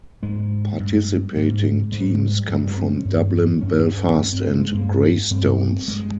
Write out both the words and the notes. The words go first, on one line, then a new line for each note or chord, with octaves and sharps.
Participating teams come from Dublin, Belfast and Greystones.
G#2 G#3
G2
G#2
G#2 G#3
G3
G2 G3
G#3
C4
C#4
G2
G2 C#4
G2 C#4
C4
G#3
G#3
G2 A#3
G2 C4
G2 G#3